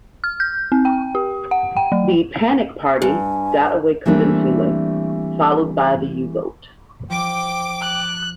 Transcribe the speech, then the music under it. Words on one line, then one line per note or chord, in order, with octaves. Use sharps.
The 'Panic party' got away convincingly, followed by the U-boat.
F6
G6
C4
G5
G4
F#5
G5
F#3
G2 G#5
E3 G3 A3 A#3 C4 D4
F3 G5 D6
F#6